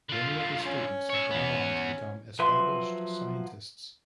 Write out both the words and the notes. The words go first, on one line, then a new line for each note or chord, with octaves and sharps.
Many of his students have gone on to become established scientists.
D3 F4
F5
C#4
C#5 E5
E2 B3
F3 F#3 B4 E5 C6